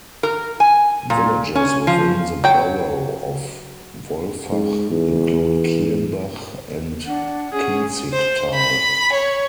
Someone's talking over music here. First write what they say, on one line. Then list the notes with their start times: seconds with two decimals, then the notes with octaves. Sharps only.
Villages within the borough of Wolfach include Kirnbach and Kinzigtal.
0.23 A#4
0.60 G#5
1.10 A#2
1.55 C#4
1.87 F3
2.44 F#3 G5
4.52 G#2
4.90 E2
7.06 D4 F#5
7.52 C#4 G#4
8.13 C5
8.55 B5
9.13 C#5